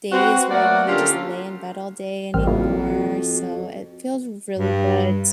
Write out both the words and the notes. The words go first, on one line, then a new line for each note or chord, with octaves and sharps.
days where I wanna just lay in bed all day anymore, so it feels really good.
C4 F#4 B4
A3 A#3 F#4 D5 F#5
D3 C#4 F4 G4 A4 A#4
A1 F2 C4 A#4 F6
C#3 A#3 E4 F#4
G2